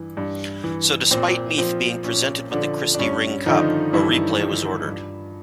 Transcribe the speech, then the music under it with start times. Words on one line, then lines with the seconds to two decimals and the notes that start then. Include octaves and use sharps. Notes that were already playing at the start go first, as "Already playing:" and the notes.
So despite Meath being presented with the Christy Ring Cup, a replay was ordered.
Already playing: G2 E3
0.17 G2
0.64 E3
1.11 A#2 C4
1.58 F3 C4
2.05 A#2 C#4
2.51 D3 F3 D4
2.94 D4
2.99 G2 C#4
3.46 D3 D#3 F3 D#4
3.93 G2 E3 E4
4.40 D3 F3
4.88 G2